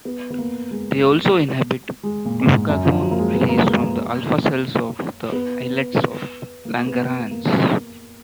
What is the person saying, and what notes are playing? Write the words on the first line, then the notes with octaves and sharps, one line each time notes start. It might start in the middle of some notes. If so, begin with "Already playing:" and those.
They also inhibit glucagon release from the alpha cells of the islets of Langerhans.
B3
B3
A#3
G#3
G#3
A#2
G#2
F#2
F3
F#3
A#3
G#3
B3
A#3
G#3
A#3
B3
A#3
B3
B3
A#3